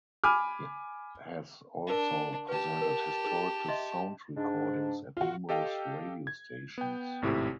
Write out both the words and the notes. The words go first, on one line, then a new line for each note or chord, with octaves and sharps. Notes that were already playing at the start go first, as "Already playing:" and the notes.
He has also presented historical sound recordings at numerous radio stations.
G#5 B5 D6 F6
D4 A#4 F5
G4 B4 A5
A#4
D#4 G#4
D#5 E5 C6
G#2 D4
F4 F#4
G4 A4 D#5 F5 G5
G#6
B3 G5
G#1 A2 C3 E4 G4